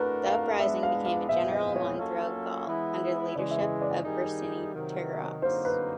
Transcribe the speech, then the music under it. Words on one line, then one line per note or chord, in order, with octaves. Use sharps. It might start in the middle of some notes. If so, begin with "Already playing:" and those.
The uprising became a general one throughout Gaul, under the leadership of Vercingetorix.
Already playing: A3 D4 F#4 A#4 B4
F5
G#3 B3 D4 E5
F5
F5
A#2 F3 G#3 B3 E5
D#5
C#5
F#3 A#3 C#4 F4 A4
E3 G#3 B3 E4
C#3 E3 G#3 D5
E5
D#5
D5
D#3 G3 A#3 D#4 G#4
C3 D#3 F#3
D3 F#3 A#3 D#4 C5
B4